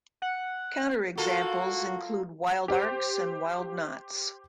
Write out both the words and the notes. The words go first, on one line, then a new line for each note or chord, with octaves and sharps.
Counterexamples include wild arcs and wild knots.
F#5
A#3 F4 F#4 A4
G4 C5